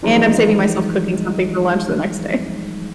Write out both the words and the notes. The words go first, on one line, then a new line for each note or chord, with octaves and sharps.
And I'm saving myself cooking something for lunch the next day.
E3 F3 G3 G#3 D#4